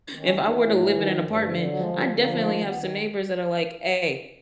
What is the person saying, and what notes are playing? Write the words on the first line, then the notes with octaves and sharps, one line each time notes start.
if I were to live in an apartment, I'd definitely have some neighbors that are like, "Ay.
D#3
C#4
D#2
E3 D4
B3
A2 A#3
A3
E3 G#3
D#3 F3
F#3
G2
F3
G2 F#3
D3 F3
F3
F#3
F3
G#3
D3 G3
D3
A#3
F3
D#3 A#3
D#3
B3
D#3